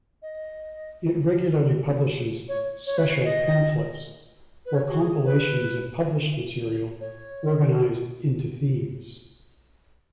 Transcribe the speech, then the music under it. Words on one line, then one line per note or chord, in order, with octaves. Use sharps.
It regularly publishes "special pamphlets," or compilations of published material organized into themes.
D#5
C#5
C#5
B4
C#5
D#5
B4
C#5
F#4
G#4
B4
C#5